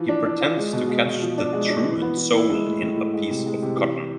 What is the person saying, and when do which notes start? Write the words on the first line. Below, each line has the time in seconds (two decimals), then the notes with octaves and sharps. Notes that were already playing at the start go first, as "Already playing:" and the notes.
He pretends to catch the truant soul in a piece of cotton.
Already playing: E3 F3
0.09 D4
0.25 D4
0.41 F4
0.57 G#3
0.73 B2
0.89 G#3
1.05 B2
1.22 F3
1.38 D4
1.53 G#3
1.70 D4
1.85 E3
2.02 B3
2.17 E3
2.34 E4
2.49 G#3
2.66 A2
2.82 A2
2.97 A2
3.14 G#3
3.30 C3
3.46 G#3
3.62 C3
3.78 E3
3.94 E3